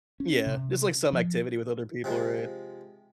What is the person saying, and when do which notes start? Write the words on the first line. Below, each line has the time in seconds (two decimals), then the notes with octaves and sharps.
Yeah, just like some activity with other people, right.
0.20 C#4
0.47 C3
1.13 F3
2.04 C3 F3 G#3